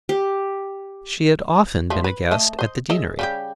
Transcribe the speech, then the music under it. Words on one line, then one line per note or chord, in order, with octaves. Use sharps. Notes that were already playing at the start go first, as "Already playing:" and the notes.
She had often been a guest at the deanery.
G4
F3 G3 A3
B4
A3 D#5 A5
C5 D#5
G#4 D#5 E5
C#3 G3 G4